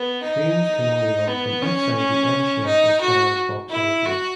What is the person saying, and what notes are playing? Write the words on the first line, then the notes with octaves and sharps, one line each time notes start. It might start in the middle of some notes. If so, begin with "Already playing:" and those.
Trains can only run from outside the M Shed as far as Vauxhall Bridge.
Already playing: B3
D#4
B3
C#4
C#4
D#4
F#4
E4
F#4